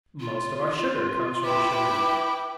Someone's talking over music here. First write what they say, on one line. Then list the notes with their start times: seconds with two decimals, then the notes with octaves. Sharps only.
Most of our sugar comes from the Sugar-beet.
0.20 F4
1.43 E4 B4 G5 D6